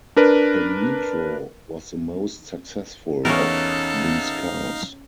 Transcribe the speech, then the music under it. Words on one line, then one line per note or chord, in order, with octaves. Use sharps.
The Metro was the most successful of these cars.
D4 A#4 B4
E2 C#4 D#4 A4 A#4 F5